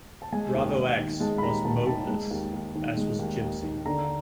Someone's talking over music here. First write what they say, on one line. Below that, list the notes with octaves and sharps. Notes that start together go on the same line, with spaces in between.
BravoX was "modeless", as was Gypsy.
A5
G#3 G#5
D#2
D#2
D#3
G#3 A5
B5
D#2 A#5
D#2 A5
D#3 A5
G#3
D#2
D#2
D#3
G#3
D#2
D#2
D#3
D3 A#5